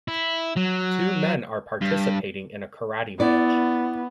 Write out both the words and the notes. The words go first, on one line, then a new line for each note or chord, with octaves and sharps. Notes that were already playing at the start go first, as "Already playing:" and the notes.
Two men are participating in a karate match.
E4
F#3
G2
B3 E4 D5